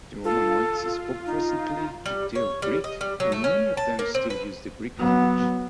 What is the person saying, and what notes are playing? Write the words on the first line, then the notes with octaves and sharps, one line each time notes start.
The Romaniotes spoke recently Judaeo-Greek and many of them still use the Greek language.
F4 A4
D#4
G3
C#5
G3
D#5
G3
F#3
A3
C#4
A5
A#3
C4
B4
F#3 B3